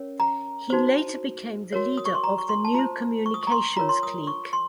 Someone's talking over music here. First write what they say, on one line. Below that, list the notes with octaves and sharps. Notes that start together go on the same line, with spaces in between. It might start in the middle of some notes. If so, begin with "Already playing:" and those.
He later became the leader of the New Communications Clique.
Already playing: C#4 A#4 C#5
A#5
D#4 F#4 C5
F#4 A#4 C#5
D#6
C#6
C6
A#5
C#6
C6
A5
F4 C5 A#5
C#6
D#6
A#5 C#6
C6
F4 A#4 C#5 A#5
C6
D#6
C#6
C6